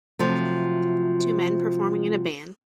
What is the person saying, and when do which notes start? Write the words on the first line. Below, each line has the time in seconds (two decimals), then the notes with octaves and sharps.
Two men performing in a band.
0.19 C3 F3 F#3 A3